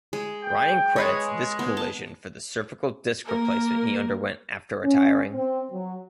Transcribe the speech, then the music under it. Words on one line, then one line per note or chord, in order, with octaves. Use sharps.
Ryan credits this collision for the cervical disc replacement he underwent after retiring.
G#3
G5
G#3 G#4 B4 C#5
B3
A5
A#3 A#4
C#4
C4
F#3